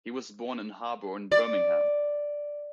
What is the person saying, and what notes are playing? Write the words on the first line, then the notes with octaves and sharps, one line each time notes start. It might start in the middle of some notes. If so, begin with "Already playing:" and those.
He was born in Harborne, Birmingham.
D5